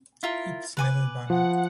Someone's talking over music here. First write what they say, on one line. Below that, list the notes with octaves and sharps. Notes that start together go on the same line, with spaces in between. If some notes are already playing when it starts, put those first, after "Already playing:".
It is never banal.
E4 F4 A#4
B4 G#5 D6
F3 F#5